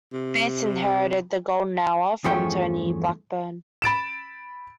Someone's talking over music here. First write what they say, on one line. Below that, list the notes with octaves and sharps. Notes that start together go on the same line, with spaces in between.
Bates inherited "The Golden Hour" from Tony Blackburn.
C3
E2 G2 F3 A3 C#4 G5
B5 A6 D7 E7